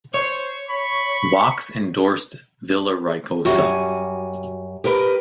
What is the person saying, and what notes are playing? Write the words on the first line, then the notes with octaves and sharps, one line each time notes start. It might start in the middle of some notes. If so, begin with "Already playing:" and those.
Wachs endorsed Villaraigosa.
C5 C#5
B5 C#6
F#2 G3 F#4 G#5
G4 A#4 B4